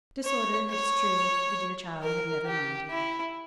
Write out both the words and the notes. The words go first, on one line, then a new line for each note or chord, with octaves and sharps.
Disorder, it is true, the dear child had never minded.
C#5
C#5
A#4
G4
E4